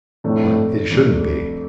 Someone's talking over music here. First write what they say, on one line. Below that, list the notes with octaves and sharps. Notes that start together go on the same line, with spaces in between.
But it shouldn't be.
F2 A2 C3 A3 D4
F2 C3 A3 D4